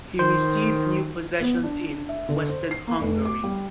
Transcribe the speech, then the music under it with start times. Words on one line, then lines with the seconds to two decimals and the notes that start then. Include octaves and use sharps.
He received new possessions in western Hungary.
0.19 D#3 C5
1.40 B3
1.63 D4
2.09 E5
2.29 D3
2.49 C5
2.71 C7
2.87 A#3
3.01 F1
3.25 D6
3.43 G3